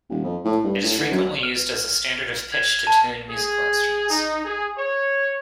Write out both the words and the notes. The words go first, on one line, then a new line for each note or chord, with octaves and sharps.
It is frequently used as a standard of pitch to tune musical instruments.
D#1
F2
A2
G2
A2
D3
F#2
F6
G#6
A5
G#4
D#4
G#4
C#5